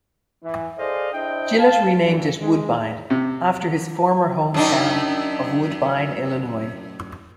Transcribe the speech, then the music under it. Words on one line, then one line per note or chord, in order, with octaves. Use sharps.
Gillett renamed it Woodbine after his former hometown of Woodbine, Illinois.
E3
G#4 A4 C5 D5 D#5 F5
D4 E4 C5 D#5 G5
F5 A5
G2 A#2 E3
G#3
C3
F#2 D4 D#4